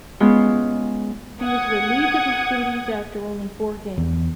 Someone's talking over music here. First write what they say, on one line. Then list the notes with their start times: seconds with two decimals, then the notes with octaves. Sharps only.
He was relieved of his duties after only four games.
0.20 G#3 B3 C#4 F4
1.42 F#5 D#6 G#6
3.98 E2